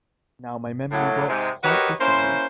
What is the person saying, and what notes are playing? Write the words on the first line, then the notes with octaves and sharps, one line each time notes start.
Now my memory works quite differently.
A2 F#3 A#3
G#2 C3 G#3
F#4 G4 A#4 B4 C#5 D#5
A#3 C#4 E4 C5